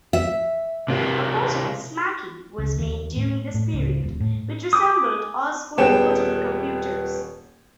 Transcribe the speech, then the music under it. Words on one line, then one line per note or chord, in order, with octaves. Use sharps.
A portable Smaky was made during this period, which resembled Osborne portable computers.
E5
C3 A#3
C#2
D#2
A2
A2
C#2
D#1
A2
G#5 D6 D#6
D#1 B3 G#4 C#5 G5 E7